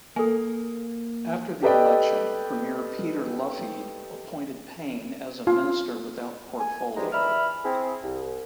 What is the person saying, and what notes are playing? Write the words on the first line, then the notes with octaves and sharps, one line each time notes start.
After the election Premier Peter Lougheed appointed Payne as a Minister without portfolio.
A#3 A4 G#5
G4 A4 B4 D5 D#5 G5
F4
G#5
D3 E3 F3 G3 G#3 D#4
E3 D5 E5 B5 F6
C4 E4 G#4
C2